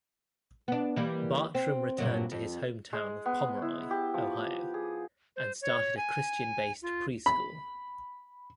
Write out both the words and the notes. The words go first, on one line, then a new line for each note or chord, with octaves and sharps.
Bartrum returned to his home town of Pomeroy, Ohio and started a Christian-based pre-school.
B3 D4
E3 G3 A#3
C4
G2 A#2 F#3
F2
G#3
B3
E4
G4
F3
G#4
C5
C#5
G#5
F4
B5